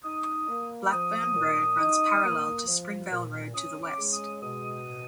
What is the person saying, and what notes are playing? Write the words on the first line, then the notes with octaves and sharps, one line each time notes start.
Blackburn Road runs parallel to Springvale Road to the west.
D#4 D#6
A#3
F3 D#6
A#2
D#4
A#3
F3
A#2
C#4 D#6
D6
G#3
D#6
B2 D#6